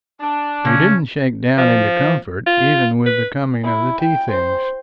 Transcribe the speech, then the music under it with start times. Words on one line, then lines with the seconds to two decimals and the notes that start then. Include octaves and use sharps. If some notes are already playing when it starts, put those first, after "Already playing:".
We didn't shake down into comfort even with the coming of the tea-things.
0.21 D4 A5
0.65 C#3 C#4
1.58 F3
2.46 F4
3.06 B4
3.64 E4
4.02 G5
4.31 C5